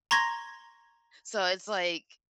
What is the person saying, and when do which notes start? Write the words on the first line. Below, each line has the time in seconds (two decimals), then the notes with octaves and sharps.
So, it's, like
0.11 A#5 C6 C#6 G#6 A#6